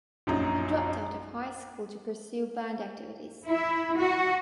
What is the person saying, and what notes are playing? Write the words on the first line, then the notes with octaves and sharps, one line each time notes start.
He dropped out of high school to pursue band activities.
A#1 F#2 D#4
E4
F#4